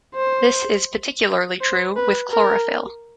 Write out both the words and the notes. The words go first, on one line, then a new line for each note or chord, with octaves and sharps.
This is particularly true with "Chlorophylle".
C5
C5
B4
A#4